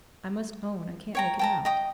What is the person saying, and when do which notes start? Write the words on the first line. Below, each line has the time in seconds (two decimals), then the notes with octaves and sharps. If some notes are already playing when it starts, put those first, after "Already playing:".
I must own I can't make it out.
1.15 C#5 G5 A#5
1.39 G5 A5 A#5
1.65 D#5 G5 D#6